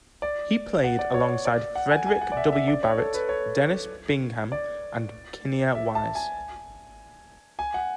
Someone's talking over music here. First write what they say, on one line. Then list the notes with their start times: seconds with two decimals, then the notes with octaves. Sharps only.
He played alongside Frederick W. Barrett, Dennis Bingham and Kinnear Wise.
0.22 D5
0.84 F#5
0.99 D5
1.14 C#5
1.45 D5
1.75 F#5
1.91 G#5
2.06 G#5
2.21 F#5
2.32 D5
2.37 E5
2.52 E5
2.68 D5
2.83 C#5
2.98 A4
3.14 B4
3.29 C#5
4.52 D5
5.75 E5
5.95 A5
6.15 G#5
7.59 G#5
7.74 F#5